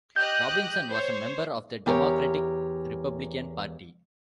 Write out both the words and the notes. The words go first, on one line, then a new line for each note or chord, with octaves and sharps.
Robinson was a member of the Democratic-Republican Party.
G4 D#5 F#6 G6
C5 C#5
E2 G4 A#4 C#5